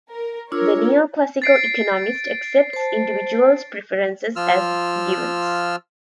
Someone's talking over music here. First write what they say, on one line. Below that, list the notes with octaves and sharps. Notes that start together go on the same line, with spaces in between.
The neo-classical economist accepts individuals' preferences as givens.
A#4
D4 F4 A#4 C#5 E6
A6 C7 D7
C5 A5
F3 F4 E6 F6